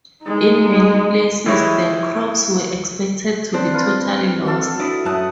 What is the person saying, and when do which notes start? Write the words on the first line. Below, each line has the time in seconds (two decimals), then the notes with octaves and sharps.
In many places, the crops were expected to be totally lost.
0.23 G#3 D#4
1.46 E3 G3 G#3 E4 B4 C#5
3.54 C4 D4 C5
3.74 F4 B4
4.46 F#4 A4 F5
4.80 D4 E4 D#6
5.05 F#2 A3 F#5 A5 D#6